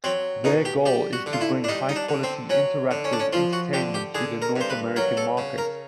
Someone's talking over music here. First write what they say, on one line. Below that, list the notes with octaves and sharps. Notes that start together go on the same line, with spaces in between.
Their goal is to bring high-quality interactive entertainment to the North American market.
F#3 C4
B2 D#4
G4
G3 G4
F#4
D3
F4
E4
D4
G3 D#4
D#4
D4
D3
C4
F#3 C#4
D3
C#4
D4
C#4
F3 F4
F#4
D3 G4
G4
D3 G#4
A#4
G2 C5
B4
F#3 A#4
A4
C#3
A#4